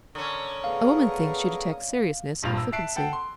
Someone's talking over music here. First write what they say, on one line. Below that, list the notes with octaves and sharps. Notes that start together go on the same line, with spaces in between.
A woman thinks she detects seriousness in flippancy.
D3 C#4 A#4 C#6 D#6
A3 B3 G#4 F5
D#1 A#1 G2 F3 F4 F7
E6
E5 A5 F#6 C7 D7
A4 F#5 G5 A5
C6